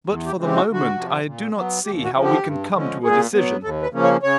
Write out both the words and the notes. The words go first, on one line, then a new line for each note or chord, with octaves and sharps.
But for the moment I do not see how we can come to a decision.
E2
G4
C#3 E3 G#3 C4
G4
F#4
D2
F#4
C3 F3
A#2
F#3 B3
D#2 G4
F#4
D3 F3
G4
G2
D3 F3 G#3 C#4
A#2 G#4
F#3 B3
D#2 A4
B4
C#3 F3 A#3 C#4
C#5
C#3 C#5